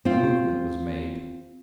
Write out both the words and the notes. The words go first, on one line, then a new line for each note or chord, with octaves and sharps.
A movement was made.
C4 F4